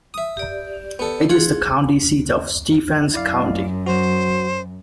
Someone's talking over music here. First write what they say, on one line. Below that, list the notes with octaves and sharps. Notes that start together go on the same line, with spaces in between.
It is the county seat of Stephens County.
E5 D#6
G4 D5
B3 A4
F4 G#4 F#5
F#2 E4 D5 F5
F#3 F#4 C5